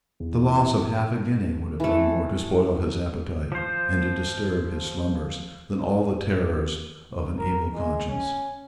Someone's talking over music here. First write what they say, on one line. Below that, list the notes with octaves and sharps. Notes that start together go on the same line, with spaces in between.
The loss of half a guinea would have done more to spoil his appetite and to disturb his slumbers than all the terrors of an evil conscience.
E2
E3 A3
F3 C5
A#4
G#3
C#4